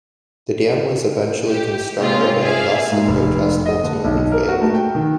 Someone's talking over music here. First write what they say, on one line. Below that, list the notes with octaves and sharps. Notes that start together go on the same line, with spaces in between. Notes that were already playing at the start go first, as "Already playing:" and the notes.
The dam was eventually constructed and thus the protest ultimately failed.
G4
C3 G#3 A#3 C4 C#4 F4
G#4 D5 E5 F5 G#5
G#2
F1
D#5
D3
B1
A#4
F#4
A3
G5
D#3